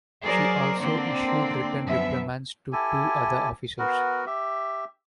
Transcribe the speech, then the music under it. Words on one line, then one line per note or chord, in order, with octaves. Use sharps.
She also issued written reprimands to two other officers.
F#3 G#4 A#4 C5 D5
D3 A#3 C4 D5
F#2 F3 B3 E5
E4 G4 A4 G#5
B3 F#4 A#4
G4 E5